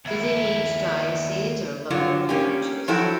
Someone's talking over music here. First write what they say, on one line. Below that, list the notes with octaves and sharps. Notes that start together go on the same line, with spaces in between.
Within each diocese are local parishes.
D#2 E4
G2 D3 F#3 F4
A#3 C#4 D#4 G4
F3 F#3 E4 F#4 A4 G5